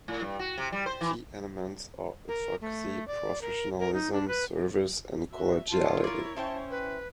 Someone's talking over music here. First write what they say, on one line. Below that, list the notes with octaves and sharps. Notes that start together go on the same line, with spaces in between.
Key elements are advocacy, professionalism, service and collegiality.
A2
G2
F#4
C3
G3
C5
E3
A#4
A3
D5
A#4
A#4
D#4
D4
B4
F#4 E5
E4 F4 A5
A#4 C#5 D5
C#4 E4 C5 G5 A5
B4